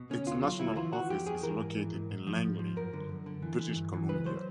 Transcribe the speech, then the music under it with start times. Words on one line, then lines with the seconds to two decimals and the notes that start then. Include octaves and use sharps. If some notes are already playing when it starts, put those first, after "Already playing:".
Its national office is located in Langley, British Columbia.
Already playing: B2
0.10 D3 C#4
0.26 D2 F4
0.43 F#3 F4
0.60 D2 E4
0.76 E3 F4
0.93 E3 F#4
1.09 F2 G4
1.26 F2 G#4
1.43 E3 A#4
1.59 G#2
1.77 E3
1.93 G#2
2.10 G#2
2.27 F3
2.44 G#2
2.59 F3
2.76 F#2 A#4
2.93 D3
3.09 F#2
3.26 D3
3.42 E3
3.59 E3
3.76 G2
3.93 E3
4.09 C#2 B4
4.25 F#3 C5